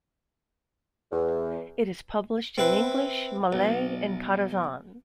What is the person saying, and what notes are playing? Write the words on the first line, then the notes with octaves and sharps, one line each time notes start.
It is published in English, Malay and Kadazan.
E2
C4 E4 B4
B1